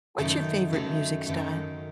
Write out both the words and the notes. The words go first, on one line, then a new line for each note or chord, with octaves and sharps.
What's your favorite music style?
F#2 D#3 A3
F#2 D#3 A3
F#2 D#3 A3